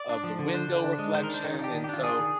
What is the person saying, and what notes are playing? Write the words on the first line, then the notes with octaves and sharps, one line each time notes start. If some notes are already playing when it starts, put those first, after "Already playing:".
of the window reflection, and so
Already playing: D5
D4
F3
D3
D4 C5
D3
D4
G#3
D#3 C5
A#4
D4
C5
D#3 D#4
F4
D4 G4
D#3
G4
D4 F4
D4 G#4
D#3